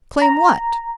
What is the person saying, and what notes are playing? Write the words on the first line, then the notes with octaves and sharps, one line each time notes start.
Claim what?
A#5